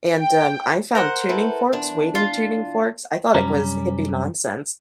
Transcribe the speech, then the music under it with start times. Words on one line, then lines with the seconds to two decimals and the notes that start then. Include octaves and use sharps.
And, um, I found tuning forks, weighting tuning forks, I thought it was hippie nonsense,
0.19 G5
0.95 A#4 C5 F#5
1.29 E4 A4 B4
1.73 E2 D4
2.15 F4
3.34 C2 F#2 G3 C#4 A#5